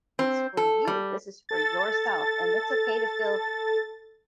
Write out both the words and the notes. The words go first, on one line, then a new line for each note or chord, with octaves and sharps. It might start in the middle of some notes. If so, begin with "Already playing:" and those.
it's for you, this is for yourself. And it's okay to feel
C4
A4
G3
A4 A6